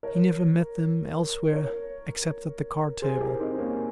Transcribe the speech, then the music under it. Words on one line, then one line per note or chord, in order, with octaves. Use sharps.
He never met them elsewhere except at the card-table.
A#4 C#5
A#4 C#5
G#4 C5
C5
G4 A#4
C4 D#4
A#3 C#4